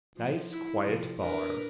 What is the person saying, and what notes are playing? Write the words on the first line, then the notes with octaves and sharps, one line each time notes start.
Nice quiet bar.
F3
E4
C3 F3
D4 A#4 B4